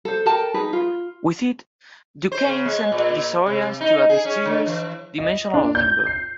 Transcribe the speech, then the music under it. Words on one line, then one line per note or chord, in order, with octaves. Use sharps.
With it, DuCaine sent the Saurians to a mysterious "Dimensional Limbo".
A4 C5
A4 A#4 G5 A5
D#4 G#4 B4
F4
C5
C#3
G#3
A#2
C3
D#4
G#4
C#4
D3
E3
D#5
D4
G6
C7